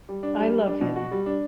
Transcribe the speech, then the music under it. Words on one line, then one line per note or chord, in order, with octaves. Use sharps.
I love him.
G3
D4
G3
G3
D4
B2
F#4
G3
D4